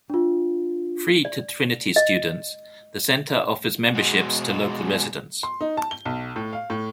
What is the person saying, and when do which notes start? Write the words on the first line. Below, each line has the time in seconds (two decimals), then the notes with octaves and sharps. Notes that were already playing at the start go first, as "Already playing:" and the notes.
Free to Trinity students, the Center offers memberships to local residents.
0.10 D4 F4
1.25 D5
1.96 D#5
3.94 B2 G#3
5.43 C6
5.61 D#4
5.77 A5
5.91 G7
6.05 B1
6.36 A2
6.53 F5
6.70 A2